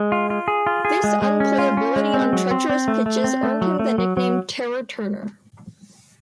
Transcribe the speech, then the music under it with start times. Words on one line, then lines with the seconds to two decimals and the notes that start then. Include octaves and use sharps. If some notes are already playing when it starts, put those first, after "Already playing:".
This unplayability on treacherous pitches earned him the nickname "Terror" Turner.
Already playing: G#3
0.12 F4
0.30 F4
0.48 G#4
0.67 F4
0.85 G#4
1.04 G#3
1.22 G#3
1.40 C#4
1.58 F4
1.77 C#4
1.96 G#3
2.14 C4
2.33 F#3
2.51 C4
2.69 C4
2.88 A3
3.06 A3
3.24 C4
3.43 A3
3.61 F#3
3.79 A3
3.98 F#3
4.17 F#3